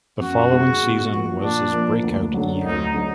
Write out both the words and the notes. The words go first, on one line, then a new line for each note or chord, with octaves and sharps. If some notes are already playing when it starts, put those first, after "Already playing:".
The following season was his breakout year.
F#2 F#4
D3 G#3 B3
A#2
F3 A#3
A#2 D4
F3 A#3
D2
D3 F#3
D2 D#4
D3 F#3